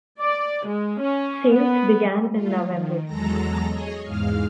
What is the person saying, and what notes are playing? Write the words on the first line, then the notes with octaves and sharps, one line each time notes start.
Sales began in November.
D5
G#3
C#4
B3
A3 F4
D#3
E2 F#3 G#3 A4 A#5 A#6
G#4 C#5 D#5
E2 G#2 G#3 F5 F6